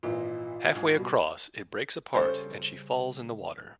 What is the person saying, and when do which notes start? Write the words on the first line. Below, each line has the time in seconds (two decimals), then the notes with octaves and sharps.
Halfway across, it breaks apart and she falls in the water.
0.03 G#1 A#2 E3 F4 D#5
0.74 G#2 D#3
0.95 B2 G3
2.14 C#3 G3 A4 C5 C#5